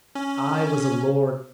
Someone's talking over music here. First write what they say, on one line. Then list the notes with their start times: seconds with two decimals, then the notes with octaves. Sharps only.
I was a lord.
0.15 C#4